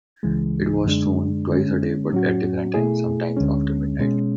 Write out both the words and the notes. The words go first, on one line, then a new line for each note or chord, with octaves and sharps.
It was shown twice a day, but at different times, sometimes after midnight.
C#2 C#3 E3 G#3
F#2 D3 G#3 D4
D3 G#3 C#4
A2 F#3 C#4 F#4
B2 A3 E4 G#4
D2 D3 G#3 C#4
B2 G#3 C#4